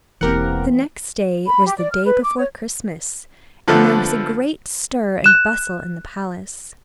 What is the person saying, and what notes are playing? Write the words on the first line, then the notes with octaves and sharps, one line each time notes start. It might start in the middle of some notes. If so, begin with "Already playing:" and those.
The next day was the day before Christmas and there was a great stir and bustle in the palace.
E1 E3 A#3 C4 G4 A#4 F#5
B5
G4
D5
F6
B4
D6
C#5
D3 F3 A3 B3 A4
F#6 E7